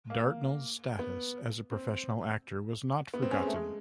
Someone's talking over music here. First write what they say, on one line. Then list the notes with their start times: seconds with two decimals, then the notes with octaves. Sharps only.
Dartnell's status as a professional actor was not forgotten.
0.10 A#3
0.99 B3
1.72 C4
3.14 B3
3.22 C4
3.31 C#4
3.41 G#3
3.47 A3
3.55 G#3